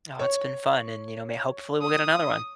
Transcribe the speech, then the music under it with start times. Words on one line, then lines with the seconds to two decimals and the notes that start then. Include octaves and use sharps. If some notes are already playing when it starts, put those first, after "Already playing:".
Oh, it's been fun, and, you know, may hopefully, we'll get another one.
0.19 C#5
1.82 D#6